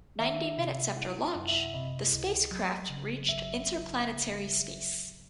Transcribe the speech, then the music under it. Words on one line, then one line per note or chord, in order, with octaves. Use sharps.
Ninety minutes after launch, the spacecraft reached interplanetary space.
D#3 E5
C3
E4 F#5
F#5
F#2
E5
C3 D#5
C#2
F#3
C#3
G#1 E5